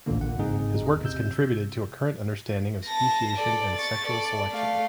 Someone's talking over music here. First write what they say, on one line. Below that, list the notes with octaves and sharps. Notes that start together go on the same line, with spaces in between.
His work has contributed to our current understanding of Speciation and Sexual selection.
A1 D2 A#2 D3 A#3
F#5
G1 G#2 C#3 C4 D#4 G#4
E2 D#5
C3 E6 G6
A5 A#6
A4 D5
C#6 A6
A4 D5
A3 F5